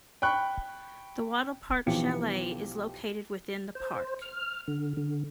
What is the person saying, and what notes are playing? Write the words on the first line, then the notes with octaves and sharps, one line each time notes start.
The Wattle Park Chalet is located within the park.
G5 B5 C#6 F#6
B1 E3 F3 B3 G4 C#7
C5
F6
D3
D3